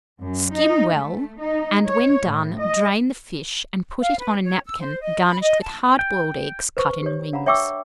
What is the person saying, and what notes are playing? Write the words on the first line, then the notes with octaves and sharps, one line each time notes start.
Skim well, and when done, drain the fish and put it on a napkin garnished with hard-boiled eggs cut in rings.
F#2
D#4
A3
D#4
C#5
A2
D#5
F5
B4
C#5
E6
C5
D#5
B5
D#5
A5
G5
B4 C5 C#6
G4 C#5
D4 F5 F#5 A#5 B5
C#5 E5 G5 C#6 D6 E6